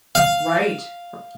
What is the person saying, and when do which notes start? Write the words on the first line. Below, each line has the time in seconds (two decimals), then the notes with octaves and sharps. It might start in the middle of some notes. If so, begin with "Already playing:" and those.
Right. R
0.15 F5